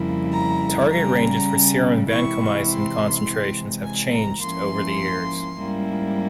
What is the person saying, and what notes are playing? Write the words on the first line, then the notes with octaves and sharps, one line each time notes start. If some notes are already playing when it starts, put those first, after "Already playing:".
Target ranges for serum vancomycin concentrations have changed over the years.
Already playing: F2 C#3 G3 A#3 E4
A#5
C#3 G3 C#4 A#5
C3 E3 G#3 E4 C#6
C6
C3 E3 G#3
G#5
A#5
G#2 F3 A#3 C#4 E4 C6
G#2 G3 A#3 C#4 E4